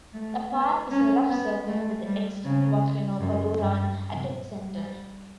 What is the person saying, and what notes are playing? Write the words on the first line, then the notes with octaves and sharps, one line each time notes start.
The park is a rough circle, with the extinct volcano, Baluran, at its centre.
A3
B3
C#4
B3
A3
G3
C#3
F#2
G2
G3